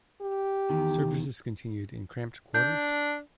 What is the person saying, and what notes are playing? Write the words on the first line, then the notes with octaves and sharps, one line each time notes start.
Services continued in cramped quarters.
G4
E2 D#3
D4 G6